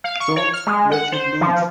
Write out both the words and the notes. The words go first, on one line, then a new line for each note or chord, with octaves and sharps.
Don't let him loose!
F5
C#6
C#5
F6
G#3
F#5
C5
F3